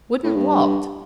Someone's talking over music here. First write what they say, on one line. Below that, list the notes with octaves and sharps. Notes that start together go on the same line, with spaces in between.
"Wouldn't what?"
A2
G2